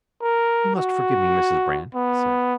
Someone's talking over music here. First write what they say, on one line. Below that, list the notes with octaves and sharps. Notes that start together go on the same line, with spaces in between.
"You must forgive me, Mrs. Brand," he said.
A#4
F#4
B3